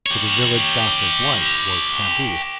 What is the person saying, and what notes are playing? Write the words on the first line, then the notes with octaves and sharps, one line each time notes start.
To the village doctor's wife it was taboo.
G4 C#5